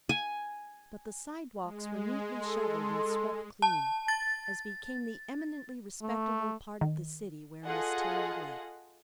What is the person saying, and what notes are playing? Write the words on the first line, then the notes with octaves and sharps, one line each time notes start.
But the sidewalks were neatly shoveled and swept clean, as became the eminently respectable part of the city where Miss Terry lived.
G#5
G#3
A4 C6
A5
A6
A3
D#3
F4 G#4 A4 D#5 F#5 G#5